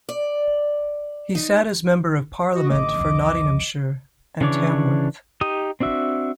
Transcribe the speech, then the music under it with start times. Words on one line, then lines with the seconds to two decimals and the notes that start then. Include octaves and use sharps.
He sat as Member of Parliament for Nottinghamshire and Tamworth.
0.09 D5
1.35 D#4
2.54 F#4 D#5
2.70 A1 D3 A3 D#5 D6
2.99 C2 F2
4.41 C#3 E3 D4 C#5 D6
5.41 D#4 G4 D#6
5.80 C4 D4 F#4 E5